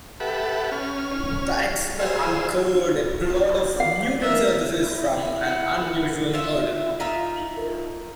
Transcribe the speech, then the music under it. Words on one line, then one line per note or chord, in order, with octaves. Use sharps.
The X-Men uncovered a plot of mutant synthesis from an unusual murder.
G4 A4 B4 E5 F#5
C#4 F6
G#4 C5 F5 E6
D5 F5
A#4 E5
E4
F#5
F4 E5
D#4 F4 E5